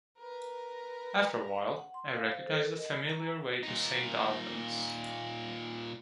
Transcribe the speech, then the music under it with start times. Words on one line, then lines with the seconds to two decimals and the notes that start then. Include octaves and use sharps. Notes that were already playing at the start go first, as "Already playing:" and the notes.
After a while I recognized the familiar way to St Albans.
0.18 A#4 B4
1.77 F#5
1.94 C6
2.15 F5
2.30 C5
2.47 A4
2.63 A#4
2.77 D#5
2.92 B5
3.06 A#5
3.19 A#5
3.63 A#2 D#4